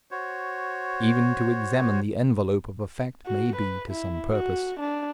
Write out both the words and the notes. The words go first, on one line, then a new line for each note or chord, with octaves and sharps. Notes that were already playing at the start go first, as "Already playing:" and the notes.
Even to examine the envelope of a fact may be to some purpose.
F#4 C5 C#5
F#4
B4
E4
F#4
D4